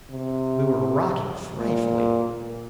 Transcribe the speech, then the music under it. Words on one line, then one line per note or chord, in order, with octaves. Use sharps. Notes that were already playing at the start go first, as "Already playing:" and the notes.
We were rocking frightfully.
C3
A#2